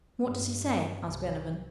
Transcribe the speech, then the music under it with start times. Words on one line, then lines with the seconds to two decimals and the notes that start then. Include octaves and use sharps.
"What does he say?" asked Glenarvan.
0.22 G2
1.02 C2